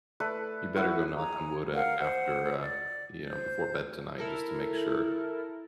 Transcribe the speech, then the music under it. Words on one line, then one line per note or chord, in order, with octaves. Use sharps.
You better go knock on wood, uh, after, uh you know, before bed tonight just to make sure
A3 A4 B4 D5
E4 F#4 B4 F#5
G#4 A#5
A#4 F5 F#5
C5 F#5
D5
C5 G6
E4 A4 A#4